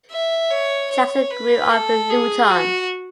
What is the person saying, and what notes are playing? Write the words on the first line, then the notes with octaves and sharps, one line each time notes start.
Jackson grew up in Luton.
E5
C#5
C#5
B4
A4
G#4
F#4